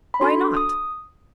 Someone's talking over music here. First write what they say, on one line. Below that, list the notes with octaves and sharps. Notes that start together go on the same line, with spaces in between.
Why not?
B5
D4 F#4 A4 C6
D#6